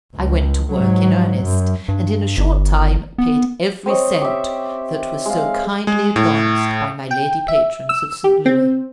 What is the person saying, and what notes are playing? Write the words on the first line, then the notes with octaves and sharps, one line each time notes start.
I went to work in earnest, and in a short time paid every cent that was so kindly advanced by my lady patrons of St. Louis.
C#2
G#2 F#3
F#2
G2
G1
B3
C4 C5 C#5 D#5
G4 E5
G#3 F5
G#3
A2
G5
E5
E6
G4
C4